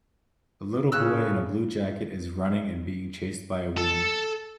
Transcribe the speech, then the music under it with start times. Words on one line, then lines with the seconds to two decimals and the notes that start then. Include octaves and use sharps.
A little boy in a blue jacket is running and being chased by a woman.
0.92 A2 C#3 E6 F#6
3.77 A4 A5